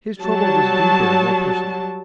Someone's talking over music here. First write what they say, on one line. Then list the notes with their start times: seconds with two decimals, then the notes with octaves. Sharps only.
His trouble was deeper and more personal.
0.21 F#3 G3 A5